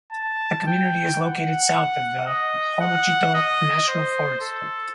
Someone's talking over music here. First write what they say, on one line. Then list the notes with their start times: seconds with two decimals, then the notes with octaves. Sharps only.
The community is located south of the Homochitto National Forest.
0.13 A5
0.67 G5
1.20 F#5
2.27 D#5
2.81 F#5
3.34 D#5
3.88 C5
4.41 A4